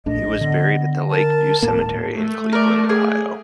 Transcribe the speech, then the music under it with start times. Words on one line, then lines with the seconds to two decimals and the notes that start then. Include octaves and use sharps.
He was buried at the Lake View Cemetery in Cleveland, Ohio.
0.06 A#1 A2 D4 D#5
0.41 D3 B3
1.10 A#4 A5
1.62 D#1 A2 A#3
2.16 A3
2.53 A#4 D5
2.89 G#4